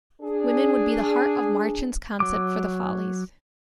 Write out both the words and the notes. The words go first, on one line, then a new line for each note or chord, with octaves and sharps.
Women would be the heart of Marchand's concept for the Folies.
D4 G#4
F#3 D6